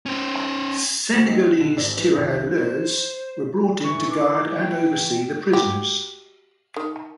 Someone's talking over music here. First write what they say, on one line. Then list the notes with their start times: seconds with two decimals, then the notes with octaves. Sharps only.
Senegalese Tirailleurs were brought in to guard and oversee the prisoners.
0.06 C#4 C5
1.13 D2 F#4 C5 A6 C7 C#7
1.26 F#3 C4 D#4
1.57 B1 D3
1.77 G#1 D5 E6
1.97 E3
2.16 C2 F2 D#3
2.60 C5
3.84 E3 C#6
4.10 D6
4.61 G5
5.53 F#4 G4
6.76 D#3